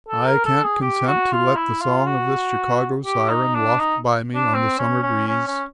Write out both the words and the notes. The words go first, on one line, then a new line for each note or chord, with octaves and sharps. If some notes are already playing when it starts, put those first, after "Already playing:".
'I can't consent to let the song of this Chicago siren waft by me on the summer breeze.
A4
A#4
A4
G#4
G4
F#4
F4
E4
F4
F#4
G4
D#4
D4
D#4
D4
C4
C#4
C#4
C#4
C#4